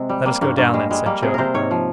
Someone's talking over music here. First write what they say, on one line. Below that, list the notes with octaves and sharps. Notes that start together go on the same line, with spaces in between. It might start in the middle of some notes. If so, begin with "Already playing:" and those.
"Let us go down, then!" said Joe.
Already playing: C3 G#3
G3
G3 A#3
G2 A#3
G2 A#3
G3 G#3
G3 G#3
G3 A#3
C3 G#4
C3 A#4 C5
G#2 C#5
F3